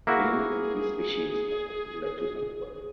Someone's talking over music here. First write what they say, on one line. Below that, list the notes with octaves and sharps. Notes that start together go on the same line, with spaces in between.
Many of the species are popular for aquaria.
A#3 E4 F#4 G#4